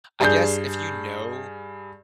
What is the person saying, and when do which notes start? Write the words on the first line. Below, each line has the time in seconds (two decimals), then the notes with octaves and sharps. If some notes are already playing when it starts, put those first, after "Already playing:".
I guess if you know
0.20 G2 G#4 G6